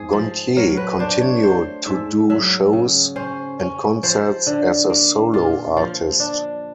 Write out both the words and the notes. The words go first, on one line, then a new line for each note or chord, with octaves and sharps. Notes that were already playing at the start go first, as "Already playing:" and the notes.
Gontier continued to do shows and concerts as a solo artist.
Already playing: G#2 G#4
F3
F#3 A#4
B4
D4 C5
C#5
A3 C5
G#2 E5
F#3 E5
C#3
C#4 C5
C#4
F3 C5
D3
A#3
A#2 F4
F3 F4
D4